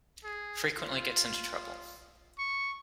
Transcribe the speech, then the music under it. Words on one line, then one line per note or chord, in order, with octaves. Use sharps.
Frequently gets into trouble.
G#4
F4
C#6